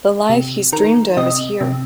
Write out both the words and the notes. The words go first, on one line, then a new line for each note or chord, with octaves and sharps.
The life he's dreamed of is here.
C3
D#3 A#4
C3 D#5
C3